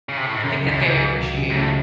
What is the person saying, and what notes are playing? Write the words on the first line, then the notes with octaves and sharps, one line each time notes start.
think that they appreciate
C#3
C3
A2
G#2
F#2 C#3
C#2
F#2
C#2 G#2
F#3
C#2
C#3
G#2
C#2 A2